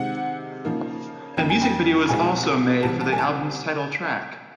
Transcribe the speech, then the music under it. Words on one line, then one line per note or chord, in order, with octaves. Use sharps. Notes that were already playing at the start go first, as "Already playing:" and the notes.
A music video was also made for the album's title track.
Already playing: C3 D#3 G#3 C4 F#5
C#3 F3 A#3 D#4
F2 C#3 F3 A#3 D#4 G5
G#5
G5
C2 B2 G#3 C4 F4 G#5
C2 C3 E3 G3 C4 A5
A5
G#5
A5